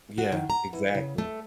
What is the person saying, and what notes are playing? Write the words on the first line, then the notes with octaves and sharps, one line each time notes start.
Yeah. Exactly.
F#4
D#3
A#5
E3
C#3
A3